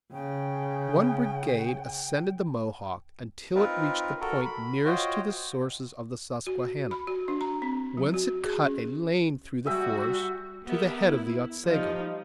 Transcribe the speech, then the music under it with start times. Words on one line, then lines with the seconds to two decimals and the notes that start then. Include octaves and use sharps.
One brigade ascended the Mohawk until it reached the point nearest to the sources of the Susquehanna, whence it cut a lane through the forest to the head of the Otsego.
0.12 C#3 G5
3.55 C4 D#4 F4 A#4 B4
4.21 F#4 A4 A#4
4.45 B5
4.85 F4 F#4 C5 C#5 D#5 G5
6.47 F#4
6.91 B5
7.07 F#4
7.28 D4
7.41 A#5
7.62 C4
7.97 F#3
8.14 F#4
8.44 G#4
8.62 C#4
9.66 G3 F#4 G#4 E5 G5
10.67 B3 G4 A#4 E5
11.06 E4
11.63 F3 G3 D#4